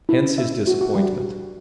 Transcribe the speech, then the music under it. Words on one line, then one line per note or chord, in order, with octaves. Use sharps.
Hence his disappointment.
E4
C#4
E5
E5
F#4
F#4
G3